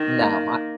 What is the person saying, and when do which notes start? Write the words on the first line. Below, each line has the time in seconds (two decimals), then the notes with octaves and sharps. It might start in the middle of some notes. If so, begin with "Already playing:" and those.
No, I
Already playing: D#3
0.21 A#3